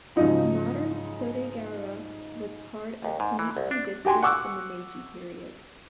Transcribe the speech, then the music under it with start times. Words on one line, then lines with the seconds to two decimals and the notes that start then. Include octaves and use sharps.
Modern Sodegaura was part of Kimitsu District from the Meiji period.
0.16 G#2 C#3 F3 F#3 D#4 F4
3.05 D#2
3.20 G#2
3.39 E3
3.57 C2
3.71 D4
4.05 F#4 G4 G5 G#5 C6
4.23 F#5 C#6 D6 E6 F#6